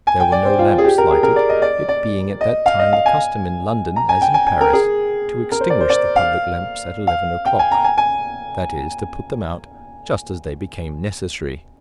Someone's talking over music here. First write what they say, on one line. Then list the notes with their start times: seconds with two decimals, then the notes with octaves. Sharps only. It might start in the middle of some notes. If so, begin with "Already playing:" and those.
There were no lamps lighted, it being at that time the custom in London, as in Paris, to extinguish the public lamps at eleven o'clock--that is, to put them out just as they became necessary.
0.07 G#5
0.20 G5
0.32 D5
0.45 C5
0.59 F4
0.78 G#4
0.84 G4
0.98 A#4
1.11 G#4
1.23 A#4
1.36 D5
1.49 D#5
1.62 D5
1.89 D5
2.41 D#5
2.66 F5
2.79 D#5
2.93 F5
3.06 G#5
3.96 A#5
4.09 G#5
4.22 G5
4.34 G#5
4.47 G#5
4.61 A#4
4.73 G#4
5.52 A#4
5.61 C5
5.70 D5
5.81 C5
5.90 D5
6.16 F5
7.07 F5
7.46 G5
7.59 G#5
7.72 A#5
7.84 G#5
7.98 G#5